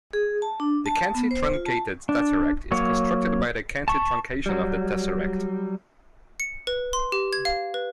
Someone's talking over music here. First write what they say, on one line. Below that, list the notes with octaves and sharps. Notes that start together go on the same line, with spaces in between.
The cantitruncated tesseract is constructed by the cantitruncation of the tesseract.
G#4
A5
D4
A5
B3
C5
F4
A5
D4
F#3 A#3 C#5
A5 C#6
F#3 G3
C#7
B4
C6
G4
G#6
F5
B4